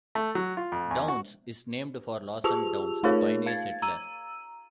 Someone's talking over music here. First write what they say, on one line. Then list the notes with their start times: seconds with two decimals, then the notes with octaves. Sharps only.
Downs is named for Lawson Downs, a pioneer settler.
0.15 A3
0.35 F#3
0.57 F4
0.72 F2
0.91 E2
1.08 F#4
2.44 F4 G4 G#4 A5 E6 F7
3.03 A3 D#4 F4 G#4 A#4 C#5
3.46 F5 G#6 A6
3.82 A#5 E6 D#7